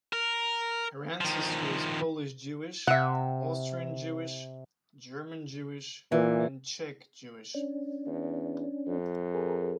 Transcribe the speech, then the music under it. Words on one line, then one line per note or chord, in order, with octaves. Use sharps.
Her ancestry is Polish-Jewish, Austrian-Jewish, German-Jewish, and Czech-Jewish.
A#4
D#3 F3
C3 E5 F#5
A#2 E3
C#4 D4
E2
F2
G#4 A#4